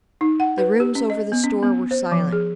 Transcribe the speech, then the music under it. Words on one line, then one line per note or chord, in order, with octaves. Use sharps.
The rooms over the store were silent.
D#4
F#5
B4
G4
C#4
D#5
B3
C#4
B3
C5
F3
G#4